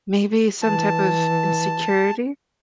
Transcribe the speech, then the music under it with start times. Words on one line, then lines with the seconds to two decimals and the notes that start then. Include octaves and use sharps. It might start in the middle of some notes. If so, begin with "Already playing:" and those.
maybe some type of insecurity.
0.62 E3 A5